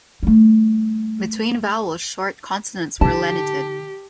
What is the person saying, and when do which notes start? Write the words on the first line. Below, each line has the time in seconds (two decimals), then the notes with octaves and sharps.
Between vowels short consonants were lenited.
0.23 G3 A3
3.01 D3 D#4 G4 A5